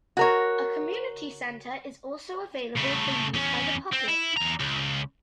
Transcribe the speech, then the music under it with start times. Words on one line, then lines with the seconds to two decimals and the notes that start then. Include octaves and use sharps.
A community center is also available for use by the public.
0.17 F#4 A#4 C#5
2.77 C#3 A3
3.34 E2 C#4
3.93 C4
4.09 E4
4.37 E2 A#5
4.60 C#2